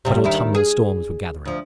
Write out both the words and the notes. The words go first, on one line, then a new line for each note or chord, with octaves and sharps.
But autumnal storms were gathering.
D2 G2 C3
D#2 D#3 E4
G#4
D2 F3